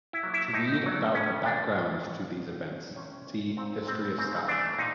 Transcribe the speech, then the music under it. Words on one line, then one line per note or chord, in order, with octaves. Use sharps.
To read about the background to these events, see History of Scotland.
E4
F#3 A#3
E4
A2 D#4
F#3 A3
C#3 C#4
F3 A#3 D4
A2
F#3 A#3
B2
G3 B3
C3 C#4
E3 G#3 B3
A#2 C4
G3 B3 C4
C#3 C4
E3 A3 D4
A#2 D#4